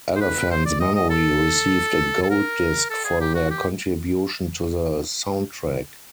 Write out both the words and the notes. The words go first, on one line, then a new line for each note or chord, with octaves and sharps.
Elephant's Memory received a gold disc for their contribution to the soundtrack.
C5
B4
C5
D5
D#5
D#5
A4
A4
A#4
A4
G#4
G4
F#4
G4